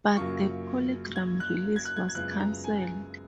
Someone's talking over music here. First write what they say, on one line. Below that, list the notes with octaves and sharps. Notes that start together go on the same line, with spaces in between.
But the PolyGram release was canceled.
F#2 C#3 F#3 A#3 F4 C#6
G#6
F#6
G#6
F#6
G#6
G#6
F#2 C#3 G#3 B3 F4 F#6
A#5
G#5